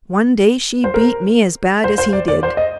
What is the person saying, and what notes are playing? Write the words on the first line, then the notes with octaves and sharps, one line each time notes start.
One day she beat me as bad as he did.
C5
A#4
C5
C5
D5
D5
C5
D#5